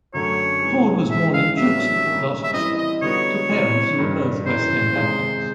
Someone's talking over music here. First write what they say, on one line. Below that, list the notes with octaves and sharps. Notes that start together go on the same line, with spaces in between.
Ford was born in Tewkesbury, Gloucestershire to parents who were both West End actors.
F#2 D3 F#3 A3 C#4 C#5
C3 E3 G#3
G#2 E3 G#3 E5
F5
A2 F#3 B3 D4 G4 E5
D#3 G3 A#3 C#4
E5
E3 G3 C4 E4 D#5
D#5
D3 G3 B3 D#4 F#4 C#5
C3 E3 G3
G2 D#3 G3
F#2 C#3 E3 C5
C3 D#3 G#3 C4 D#4